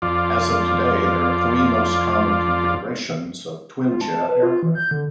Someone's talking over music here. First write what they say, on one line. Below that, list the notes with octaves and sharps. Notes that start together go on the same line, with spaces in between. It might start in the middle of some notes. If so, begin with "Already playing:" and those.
As of today, there are three most common configurations of twinjet aircraft.
F2 F4 D5
F4
A5
B4
F4
E3
G6
D3